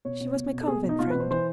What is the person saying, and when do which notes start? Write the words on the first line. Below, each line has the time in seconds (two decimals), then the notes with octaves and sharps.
"She was my convent friend."
0.05 B2 C#5
0.20 B2
0.36 B2
0.52 B2
0.61 A4
0.67 B2 G#4
0.83 B2
0.89 D#4
0.99 B2 F4
1.10 B4
1.15 B2 C5
1.31 E3 C5